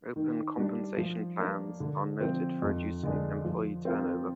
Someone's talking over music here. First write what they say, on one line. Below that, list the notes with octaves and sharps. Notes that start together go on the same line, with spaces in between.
Open compensation plans are noted for reducing employee turnover.
D#3
G3 D4
F3
A#3 D4
D3
F3 C4
F2
D3 G#3 D4
F3
C4 F4 A#4